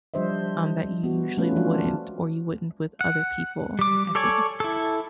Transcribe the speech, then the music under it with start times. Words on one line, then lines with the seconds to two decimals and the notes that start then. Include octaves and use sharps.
um, that you usually wouldn't or you wouldn't with other people, I think.
0.14 F3 G3 D4 C5 D#5 E5
1.04 B3 F#4
1.38 A3 C#4 F4 B4
1.56 F3 G#3 D4 F4 F#4
3.01 F#5
3.79 G3 D6
4.15 A4 C#5 D5 G#5
4.60 E4 A4